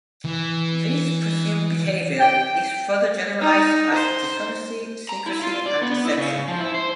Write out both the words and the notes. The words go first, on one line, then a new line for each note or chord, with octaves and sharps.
This presumed behavior is further generalized as dishonesty, secrecy, and deception.
E3
G5
D#4
C5
A#5
E4
F4
D5
B3
E4
C#3
F3
E4
C5